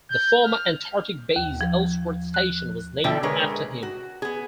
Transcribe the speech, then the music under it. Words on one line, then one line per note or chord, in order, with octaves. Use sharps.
The former Antarctic base Ellsworth Station was named after him.
G6
F6
D#2
F3
F#6
B2 D3 A4 E5 G5
D3 G#3 G#4 A#4 B4 C#5
F#4
B3 G#4